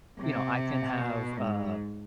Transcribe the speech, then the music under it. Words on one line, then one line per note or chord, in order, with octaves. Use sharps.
you know, I can have, uh
C3
B2
G#2